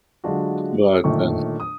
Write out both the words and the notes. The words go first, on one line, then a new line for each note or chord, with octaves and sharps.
but, uh
D3 F#3 G#3 D4 F4 F#4
G1 A#2 D#3 A3 C#6
D#6